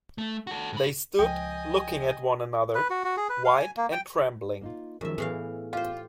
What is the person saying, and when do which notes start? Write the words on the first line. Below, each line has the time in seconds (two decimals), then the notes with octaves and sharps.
They stood looking at one another, white and trembling.
0.18 A3
0.47 F#4 A4
0.73 G#2 B5
1.19 C#2 F3 D#5 G5 G#5
2.75 B4
2.90 F#4
3.04 F#4
3.17 G#4
3.29 B4
3.45 F5
3.58 G#5
3.77 A#3
3.92 G5
4.61 A#3 D#4 F4
5.01 F#2 D#3 F3 G#3 E5
5.18 A2 E3 B3 E4 G#4 F5
5.73 F4 G4 C5